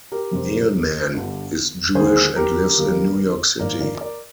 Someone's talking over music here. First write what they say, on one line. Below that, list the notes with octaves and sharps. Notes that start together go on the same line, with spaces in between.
Mehlman is Jewish and lives in New York City.
G4 A#4
F2 C3 G3 C4
G1 G2 D3
D#2 D3 G#3 G#4 C5
G4 A#4
D#2 D#3 G3 A#3
G#1 G#2 F3 A#3 A#4 D5
A#4 D5
A#4 D5